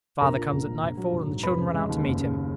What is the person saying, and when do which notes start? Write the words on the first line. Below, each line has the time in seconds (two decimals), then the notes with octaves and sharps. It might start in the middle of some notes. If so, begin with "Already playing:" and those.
The father comes at nightfall, and the children run out to meet him.
0.21 A#1 A#4 A#5
0.37 F3
0.52 A#1
0.67 A#2
0.83 A#1
0.97 F#3
1.13 A#1
1.27 G#2
1.43 F1 B4 B5
1.58 C#3
1.73 G#3
1.89 D#2
2.04 F#1
2.19 C#3